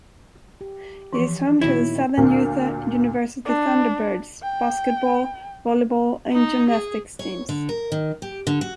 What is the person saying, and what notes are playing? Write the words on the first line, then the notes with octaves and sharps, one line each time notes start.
It is home to the Southern Utah University Thunderbirds basketball, volleyball and gymnastics teams.
G4
E3 F3
A#2 D#3 B3 E4 F#4 C#5
D2 A#2
D4
G5
D#4
G#4
C#5
D3
A#4
D#3
G4
D3
F#4